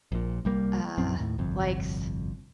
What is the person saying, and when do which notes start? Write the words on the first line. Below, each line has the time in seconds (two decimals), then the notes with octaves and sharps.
uh, likes
0.12 A#1 A#2
0.45 C2 G3 A#3
0.98 A#1 F#2 C4
1.16 D#2 A2
1.38 G1 C2 F2